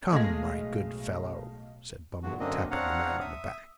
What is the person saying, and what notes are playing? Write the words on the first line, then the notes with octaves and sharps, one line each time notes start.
'Come, my good fellow!' said Bumble, tapping the man on the back.
B1 A2 G#3 A3 G#4 D#5 F5 A#6
E2 G2 A#2 F#4
F#2 D3 A#3 C4 D4 D#5
C4 D4 C#5 F5 F#5 A#5
E5 D#6